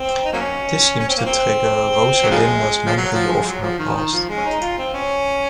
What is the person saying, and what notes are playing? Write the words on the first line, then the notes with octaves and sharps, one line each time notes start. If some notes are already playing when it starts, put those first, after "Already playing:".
This seems to trigger Rosalinda's memory of her past.
Already playing: C4
D#4
F#3 A#3 C#4
C#4
C4
A#3
C4
F#3
C#3 F3 G#3
F3
F#3
F3
G#3
G#3
F#3
F3
D#3
D#3
F3
G#3
C#4
D#4
F4
C4
C#4